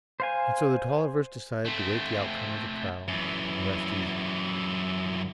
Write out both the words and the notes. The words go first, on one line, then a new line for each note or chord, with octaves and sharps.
And so the Tollivers decided to await the outcome of the trial and rest easy.
C5 F5 G#5
A3 C4
F#2 E3